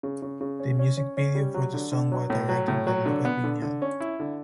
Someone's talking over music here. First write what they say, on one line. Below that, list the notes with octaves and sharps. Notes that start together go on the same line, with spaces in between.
The music video for the song was directed by Lucas Vignale.
C#3
C#3
C#3
C#4
C#4
C#4
C#4
G3
F#3
D3
D3
F#3
A2
F#3
A2
F#3
D3
B3
D3
D3
C#4
E4
D3